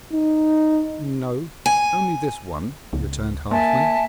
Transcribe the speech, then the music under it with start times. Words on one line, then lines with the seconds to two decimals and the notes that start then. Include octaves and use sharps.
'No, only this one,' returned Halfman.
0.13 D#4
1.66 G#5
2.93 C#2
3.51 A#3 E5 G#5 A5